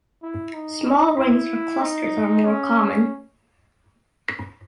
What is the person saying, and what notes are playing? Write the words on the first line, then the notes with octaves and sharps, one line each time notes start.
Small rings or clusters are more common.
E4
D#4
E4
D#4
C#4